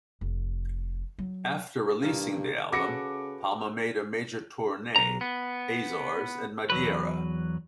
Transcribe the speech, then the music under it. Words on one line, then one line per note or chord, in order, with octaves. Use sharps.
After releasing the album, Palma made a major Tournee, Azores and Madeira.
F1
F#3
G2 D#3 A#3
C#3 F#4 A4 B4 D6 A#6 C#7
B1 A#5
B3
E2 F#3 B4